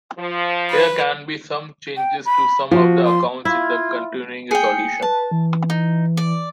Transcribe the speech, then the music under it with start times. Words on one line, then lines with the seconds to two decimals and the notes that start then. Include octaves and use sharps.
There can be some changes to some of the accounts in a continuing resolution.
0.18 F3
0.70 B4
1.97 G5
2.25 B5
2.71 F3 F#4
3.05 C6
3.45 E4 F4 G#6
4.51 G#4 G5 C#7
5.02 B4 A5
5.31 E3
5.70 D#4
6.17 D5